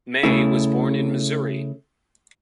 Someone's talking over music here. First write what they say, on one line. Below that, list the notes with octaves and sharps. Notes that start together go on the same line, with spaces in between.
May was born in Missouri.
C#3 A3 E4